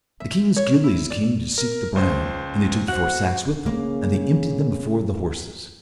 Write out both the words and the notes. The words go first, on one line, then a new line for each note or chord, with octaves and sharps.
The king's gillies came to seek the bran, and they took the four sacks with them, and they emptied them before the horses.
E5
C#5
E4
D5
A#4
C#2 C5 C6
F#4 C5 F#5
C#3 A#3